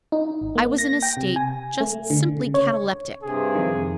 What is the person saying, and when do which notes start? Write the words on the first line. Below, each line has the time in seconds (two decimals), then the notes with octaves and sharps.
I was in a state just simply cataleptic.
0.12 D#4
0.41 G#1
0.56 A#3
0.78 A#6
1.02 G5
1.17 C3
1.36 G#5
1.80 A3
2.10 D3
2.37 C#3
2.54 C#5
3.23 G2 C3 G#4
3.55 F2 D#3